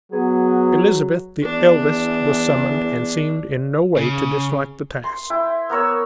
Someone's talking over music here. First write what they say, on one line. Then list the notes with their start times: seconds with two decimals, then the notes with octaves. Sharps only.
Elizabeth, the eldest, was summoned, and seemed in no way to dislike the task.
0.12 F#3 B3 G#4
1.42 E2 D4
3.97 C#3
5.04 C6
5.30 E4 G5
5.70 B3 A#4 C#5 E6